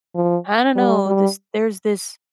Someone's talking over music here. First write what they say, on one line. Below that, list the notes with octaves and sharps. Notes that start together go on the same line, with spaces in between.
I don't know, this there's this
F3
G3
G3